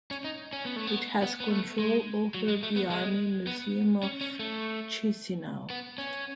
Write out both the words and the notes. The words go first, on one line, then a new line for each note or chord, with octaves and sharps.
It has control over the Army Museum of Chisinau.
C#4
D#4
C#4
B3
A3
B3
B3
B3
A3
G#3
F#3
G#3
A3
B3
G#3
B3
C#4
C#4
A3
B3
C#4